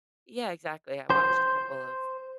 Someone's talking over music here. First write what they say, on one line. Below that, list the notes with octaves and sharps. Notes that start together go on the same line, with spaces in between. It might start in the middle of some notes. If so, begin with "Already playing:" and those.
Yeah, exactly, I watched a couple of
C5